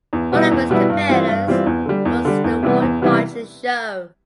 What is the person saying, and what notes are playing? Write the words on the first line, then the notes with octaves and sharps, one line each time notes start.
One of its competitors was "The Roy Rogers Show".
E2
B2 G3 B3 E4
E2
B2 G3 B3 E4
G2
E3 G3 C4 F4
G2
E3 G3 C4 F4
E2
D3 G3
E2
D3 G3
E2
C3 E3 G3 B3
E2
C3 E3 G3 B3